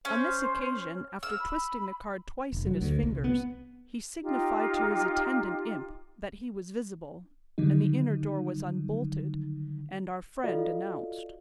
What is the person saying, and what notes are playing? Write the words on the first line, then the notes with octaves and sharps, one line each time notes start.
On this occasion, after twisting the card twice in his fingers, he signified to his attendant imp that he was visible; and the inner door was unbolted, and our friend announced.
C#4 C5
E6 F6
B5
F1
F#3
D2
C2
B3
D#4 F4 G4
D3 D#3 F#3 G3 D#4
F4 F#4 A4 D5 D#5 F5